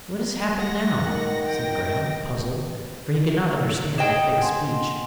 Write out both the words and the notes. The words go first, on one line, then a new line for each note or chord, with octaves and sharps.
"What has happened now?" said Graham, puzzled, for he could not understand their thick speech.
F#5 A#6
D#3
G5 A#6
G#4 D#5 G5 E7
F#5 G#5 C6